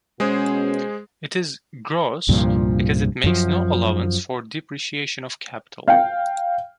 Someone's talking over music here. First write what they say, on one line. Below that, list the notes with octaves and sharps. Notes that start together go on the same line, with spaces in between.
It is "gross" because it makes no allowance for depreciation of capital.
B2 G#3 C#4 G#4 C5
C2 G2 A#2 F3
F#2 F3
F5 G5